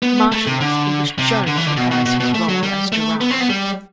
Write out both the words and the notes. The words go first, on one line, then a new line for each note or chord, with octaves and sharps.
Marshals, in which Jones reprised his role as Gerard.
B3
A3
C3
D3
C3
D3
E3
D3
B2
B2
B2
B2
A3
F#3
G3
A3
B3
C4
B3
G3